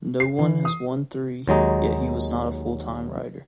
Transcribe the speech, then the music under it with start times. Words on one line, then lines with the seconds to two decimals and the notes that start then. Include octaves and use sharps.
No one has won three, yet he was not a full-time writer.
0.20 C7
0.39 E3
0.65 D#6
1.47 D#2 F#3 G#3 D#4